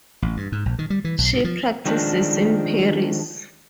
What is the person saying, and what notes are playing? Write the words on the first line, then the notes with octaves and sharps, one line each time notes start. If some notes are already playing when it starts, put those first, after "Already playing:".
She practices in Paris.
A1
G2
G#2
A#1
D#3
G3
E3
B1
G2
F3
D#3 F3 G#3 D4